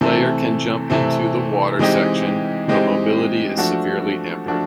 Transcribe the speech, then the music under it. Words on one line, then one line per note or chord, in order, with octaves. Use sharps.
Player can jump into the water section, but mobility is severely hampered.
C3 E3 A3 C4
C3 E3 A3 C4
E3 G#3 C4 D#4 G4
E3 G#3 C4 D#4 G4
F3 A3 D4 F#4
F3 A3 D4 F#4